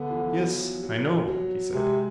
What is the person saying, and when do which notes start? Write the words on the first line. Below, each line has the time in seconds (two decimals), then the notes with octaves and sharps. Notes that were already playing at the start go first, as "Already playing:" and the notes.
Yes, I know, he said.
Already playing: D3 B3
0.10 E3
0.16 F3
0.38 F#3
0.83 F#3
1.28 F#3
1.72 C3 G#3